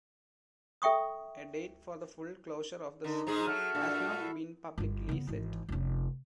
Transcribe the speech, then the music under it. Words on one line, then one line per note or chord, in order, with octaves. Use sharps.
A date for the full closure of the scheme has not been publicly set.
A4 E5 G5 C#6 D#6
D3 D#4 A#4
G#2 G#3 G#4 A#5
F#3 F#4 A4 E5 F6
A#2 D4
E4
G1 F4
C#3 B3
G#1 E3
F1 C#4